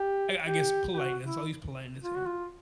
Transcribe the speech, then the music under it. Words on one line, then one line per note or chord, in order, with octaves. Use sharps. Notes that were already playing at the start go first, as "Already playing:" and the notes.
I I guess, politeness- I'll use politeness here-
Already playing: G4
G4
G4
F#4
E4
F4
F#4
F4